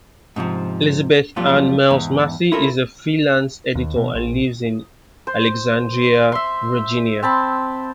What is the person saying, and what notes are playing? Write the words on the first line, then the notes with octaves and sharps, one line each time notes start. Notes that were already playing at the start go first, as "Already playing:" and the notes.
Elizabeth Anne Miles-Masci is a free lance editor and lives in Alexandria, Virginia.
G#2 C3 E3 F3
F2 A#2 F#3 G3 F4
E2 G#2
E4 F4 A4 A#4 E5
D#2
B2
A#1
C5
E5 C6
C4 A5 B5